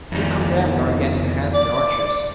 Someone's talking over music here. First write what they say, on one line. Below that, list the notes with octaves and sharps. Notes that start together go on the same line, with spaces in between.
The two condemned are again in the hands of the archers.
F2 D#3
D5